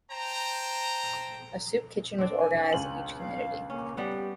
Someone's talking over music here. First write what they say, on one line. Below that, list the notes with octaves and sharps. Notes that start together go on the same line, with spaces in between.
A soup kitchen was organised in each community.
C5 G5 A5 A#5
C4 D4
G#5
C#2 F#7
F5
A#3 C#4
G3 B3 G4 F#5